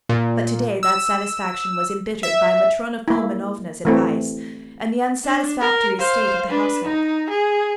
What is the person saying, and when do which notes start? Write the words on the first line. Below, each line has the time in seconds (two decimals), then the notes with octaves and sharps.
But today that satisfaction was embittered by Matrona Philimonovna's advice and the unsatisfactory state of the household.
0.09 A#2
0.83 E6
2.23 E5
3.08 A#3 E4
3.85 E3 A3 C4
5.25 D4
5.61 A#4
5.99 C5 F5
6.50 D4 B4
6.84 D#4
7.30 G#4